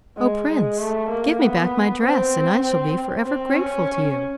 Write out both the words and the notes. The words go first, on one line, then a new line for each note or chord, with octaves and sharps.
'Oh Prince, give me back my dress, and I shall be for ever grateful to you.'
G#3
G#3
A3
A#3
B3
C4
C4
C4
C#4